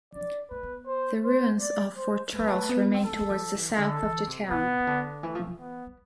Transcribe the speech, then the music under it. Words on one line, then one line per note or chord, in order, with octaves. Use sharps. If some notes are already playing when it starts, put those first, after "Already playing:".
The ruins of Fort Charles remain towards the south of the town.
D4 D5
A3 B4
B3
C5
C5
D5
C5
A3 B4
G3
A3
B3
C4
B3 A4
A3
G3
F3
E3
C3
D3 A4
E3
C3
C3 B3
C3
D3
E3 A3
F3
E3
B3
G3